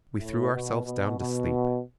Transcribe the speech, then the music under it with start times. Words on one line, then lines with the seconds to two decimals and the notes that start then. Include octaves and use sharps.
We threw ourselves down to sleep.
0.19 A2
0.52 B2
0.85 B2
1.18 B2